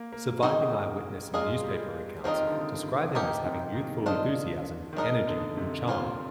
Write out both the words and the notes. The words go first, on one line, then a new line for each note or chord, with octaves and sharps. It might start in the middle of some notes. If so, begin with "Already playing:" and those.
Surviving eyewitness and newspaper accounts describe him as having youthful enthusiasm, energy, and charm.
Already playing: A#3
A#3
C4 D#4 G#4 C5 D#5
G#3 A#3 F4 G#4 D#5
G3
D#3 C4 F4 A#4 D#5
D3
C3
C3
F3 A#3 D#4 G4 A#4
C3
D#3
D4 F4 C5 D#5
D#3
F3 G#3 D#4 A#4 D#5
D3
C3
C3 A#3 F4 C5